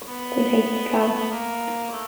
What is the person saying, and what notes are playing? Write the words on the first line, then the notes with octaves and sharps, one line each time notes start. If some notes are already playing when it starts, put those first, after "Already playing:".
But it hates the plow!
B3
A#3
A3